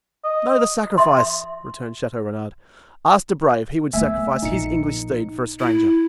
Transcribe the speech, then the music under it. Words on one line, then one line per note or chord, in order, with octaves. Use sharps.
"No, the sacrifice," returned Chateau-Renaud; "ask Debray if he would sacrifice his English steed for a stranger?"
D#5
E5 C6
A3 B3 E5 G#5 E6
A#1 D#4 C#7
E4